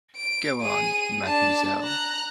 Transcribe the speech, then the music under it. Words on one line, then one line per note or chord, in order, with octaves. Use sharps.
Go on, Mademoiselle.
D7
G#4 D#7
D4 A5
A#5 F#6